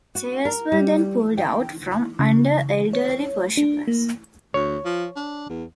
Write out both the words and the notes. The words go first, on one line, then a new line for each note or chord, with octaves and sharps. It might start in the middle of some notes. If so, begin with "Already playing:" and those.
Chairs were then pulled out from under elderly worshipers.
F#4
A#4
G3
G5
C#3
C#5
D4
A#3
D2 C#5
F3
D4
E2